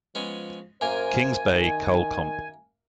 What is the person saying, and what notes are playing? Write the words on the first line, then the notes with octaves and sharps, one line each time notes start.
Kings Bay Kull Comp.
F3 G#3 B3 C#4
F#2 A#3 A#4 C5 G#5
D#3